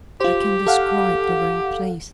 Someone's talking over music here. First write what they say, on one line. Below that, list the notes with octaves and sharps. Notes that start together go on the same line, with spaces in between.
I can describe the very place.
F4 G4 C5
A4 F5 F#5